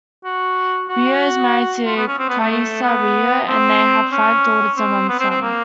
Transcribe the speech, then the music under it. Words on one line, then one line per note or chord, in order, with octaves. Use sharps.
Rio is married to Kaisa Rio, and they have five daughters and one son.
F#4
F#4
F4
B3
C#4
C4
B3
A3
A3
B3
C4
C#4
C4
B3
C4
C4
A#3